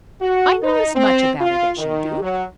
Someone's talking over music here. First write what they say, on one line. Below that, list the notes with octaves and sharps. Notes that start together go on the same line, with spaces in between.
"I know as much about it as you do!"
F#4
D#4
C4
F4
D#3
F#3